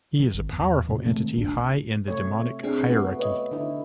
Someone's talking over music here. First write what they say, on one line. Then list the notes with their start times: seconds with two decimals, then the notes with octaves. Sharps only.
He is a powerful entity high in the demonic hierarchy.
0.19 D#3
0.34 G#1
0.52 E2
0.88 A#2 C#3
1.05 C3 D#3 G#3 A3
1.37 D#1 A#1 D4
2.08 C3 A3 C#5
2.63 C4 D4 G#4
2.87 A3 B3 F#4
3.19 B4 C#5 D#5
3.51 D3 D#4 E4